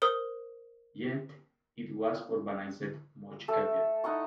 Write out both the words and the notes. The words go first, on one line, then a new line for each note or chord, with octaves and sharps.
Yet, it was urbanised much earlier.
A#4 C5 D#6
A3 A4
D#4 E4 F#5 C#6